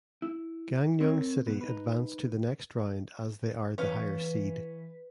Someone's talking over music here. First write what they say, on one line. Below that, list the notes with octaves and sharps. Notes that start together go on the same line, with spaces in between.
Gangneung City advance to the next round as they are the higher seed.
E4
C4 A#4 C#5
B2 B3
D#4 B4
E3 C#4 B4 C#5 F5